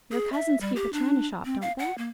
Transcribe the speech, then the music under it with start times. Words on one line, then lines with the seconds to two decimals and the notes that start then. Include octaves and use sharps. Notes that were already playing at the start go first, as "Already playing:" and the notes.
Your cousins keep a china-shop, don't they?
0.11 G#4
0.33 E5
0.61 G3
0.76 G4
0.93 D4
1.45 C4
1.62 F5
1.79 F#5
1.98 A#3